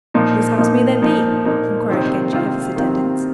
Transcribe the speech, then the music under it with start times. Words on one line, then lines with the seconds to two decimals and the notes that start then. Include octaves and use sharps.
"Whose house may that be?" inquired Genji of his attendants.
0.14 A#2 F3 A#3 D#4
0.58 A#2 F3 A#3 D#4
1.02 A#2 F3 A#3 D#4
1.45 A#2 F3 A#3 D#4
1.90 C3 D#3 C4 F4
2.33 C3 D#3 C4 F4
2.76 C3 D#3 C4 F4